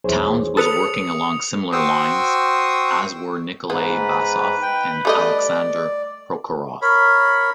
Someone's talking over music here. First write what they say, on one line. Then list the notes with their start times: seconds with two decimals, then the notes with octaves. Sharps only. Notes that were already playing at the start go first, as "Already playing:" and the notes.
Townes was working along similar lines, as were Nikolay Basov and Aleksandr Prokhorov.
0.04 B1 E2 G#4 C5 C#5
0.57 A4 B4 D#6 C#7 F7
1.72 F#4 C5 G5 C#6 D#6 E6
3.70 G#2 B3 B4
4.62 G5
5.05 G3 A3 D5 D#5
6.82 A#4 C#5 B5